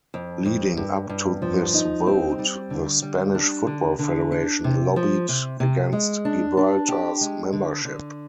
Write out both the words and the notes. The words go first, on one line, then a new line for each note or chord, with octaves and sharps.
Leading up to this vote, the Spanish football federation lobbied against Gibraltar's membership.
F2
F2
G2
G2
F3
D#4
C4
G3
D3
G3
D4
D3
D3
D4
C3
F3
C3
C3
G#3
D4
D4
G4
G#3
D3
D3